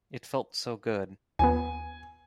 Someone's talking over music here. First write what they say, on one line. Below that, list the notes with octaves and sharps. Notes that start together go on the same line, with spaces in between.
It felt so good.
D#2 F3 B3 G#5